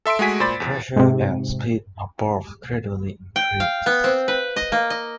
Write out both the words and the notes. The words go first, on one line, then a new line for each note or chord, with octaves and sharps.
Pressure and speed are both gradually increased.
A4 E5 C6 E6 D7
G#3 A3 F#4 G#5 B6
A#2 C5 D5 B5 A6
E2
G#2 C3
G5
F5
B3
C4
B4
D#5
A#3
D#5